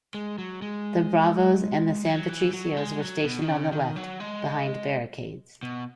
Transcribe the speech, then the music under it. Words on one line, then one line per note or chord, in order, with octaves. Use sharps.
The "Bravos" and the "San Patricios" were stationed on the left, behind barricades.
G#3
F#3
G#3
F#3
E3
F#3
G#3
F#3
B2
D#3
C#3
D#3
F#3
G#3
B2